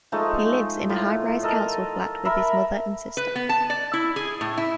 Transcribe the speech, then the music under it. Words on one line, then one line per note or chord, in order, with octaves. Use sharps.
He lives in a high rise council flat with his mother and sister.
F3 G#3 A3 D#4
A2 F4
A4 A#4 D#5
A#4 E5 B5
B4
B3
A5
D5
E4
G#4
A2
E4